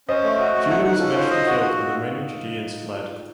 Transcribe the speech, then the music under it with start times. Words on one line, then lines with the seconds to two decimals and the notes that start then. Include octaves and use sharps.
Judah was eventually killed and the remaining Judeans fled.
0.09 C#4 C5 D#5
0.24 A3
0.39 F#4 C5 D#5
0.55 A3
0.70 D#4 F#4 F#5
0.84 F#5
0.99 C#4 F4 A4
1.15 C5
1.30 D#5
1.46 F#4
1.60 F#4